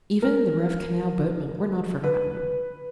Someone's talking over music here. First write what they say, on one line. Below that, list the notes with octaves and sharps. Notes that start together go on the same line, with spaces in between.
Even the rough canal boatmen were not forgotten.
A#4
B4